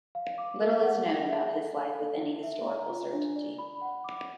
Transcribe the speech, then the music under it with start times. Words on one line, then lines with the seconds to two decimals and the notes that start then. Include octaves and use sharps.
Little is known about his life with any historical certainty.
0.15 F5
0.38 D6
0.61 A#4
0.83 F#5
1.07 G#4
1.29 E5
1.52 A4
1.76 F5
1.99 A4
2.21 E4
2.43 E5
2.67 A#5
2.90 F4
3.13 D4
3.36 D5
3.58 B5
3.81 F#5
4.04 D6